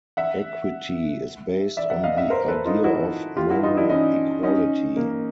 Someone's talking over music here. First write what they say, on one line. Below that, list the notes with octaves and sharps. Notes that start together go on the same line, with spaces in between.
Equity is based on the idea of moral equality.
E5 F#5
D5 E5
E5 F#5
D#5 F5
E5 F#5
A#4 C5
A4 B4
D#4 F4
E4 F#4
F4 G4
E4 F#4
D#4 F4
D4 E4
C#4 D#4
C#4 D#4
A#3